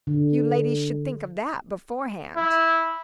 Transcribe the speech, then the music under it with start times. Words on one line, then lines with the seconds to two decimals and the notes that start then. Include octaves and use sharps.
"You ladies should think of that beforehand."
0.07 D3
2.36 E4